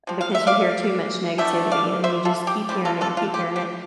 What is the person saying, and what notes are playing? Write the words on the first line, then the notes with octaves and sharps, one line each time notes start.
because you hear too much negativity, and you just keep hearing it and keep hearing it,
C3 F3
F5
E5
D5 F5
D3 A3 D4 E5 G5
D5 F5
C5 E5
F4 A4
G4
G3 C4 E4 G4
F4 A4
F4 A4
F4
G4
G4